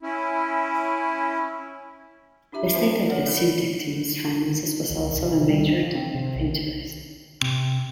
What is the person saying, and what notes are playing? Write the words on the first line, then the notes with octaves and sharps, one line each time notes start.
The state of the Simtek team's finances was also a major topic of interest.
C#4 E4
D4 E4 G4 E5 A#5
C4 F4 F#4 B4 C5 E5
A4 C#5 D5 F#5
E4 A#4 D5
C#2
C2
C3
G3
D#3
F3
C4
C3
B1
C3